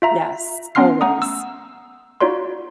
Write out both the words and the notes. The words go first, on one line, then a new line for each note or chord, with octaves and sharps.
Yes, always.
F4 E5 A#5
B3 C#4 F#5 C6 F6 C7
A3 F#5 A#5 D#6
E6
D#4 F4 F#4 C#5 D5 C6